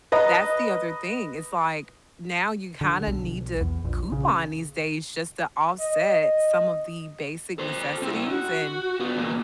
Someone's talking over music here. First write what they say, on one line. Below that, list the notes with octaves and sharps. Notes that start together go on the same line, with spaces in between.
that's the other thing, it's like, now you kinda need to coupon these days just to offset some of the basic necessities, and
B4 D#5 A#5
D3
B1
E2
A#1
C#3
D#5
A4 C5
C4 E4
F#4
B3 F4
E2 A#2